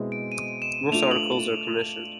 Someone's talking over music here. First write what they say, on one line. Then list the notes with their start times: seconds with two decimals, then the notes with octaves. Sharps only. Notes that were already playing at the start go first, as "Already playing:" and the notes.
Most articles are commissioned.
Already playing: B2 G#3 C4 E4 G#4
0.12 D7
0.32 D#7
0.62 E7
0.92 A3 D4 F4 F7
1.11 F#7
1.32 F#7